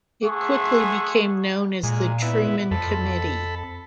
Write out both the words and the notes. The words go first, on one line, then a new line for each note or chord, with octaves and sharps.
It quickly became known as the Truman Committee.
A3 G#4 E5 F#5 C6 C#6
A#2 G#3
B3 E4
F2 A4 B5